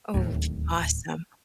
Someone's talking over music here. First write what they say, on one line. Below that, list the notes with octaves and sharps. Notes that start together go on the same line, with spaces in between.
Oh, awesome.
D1 D#2 A2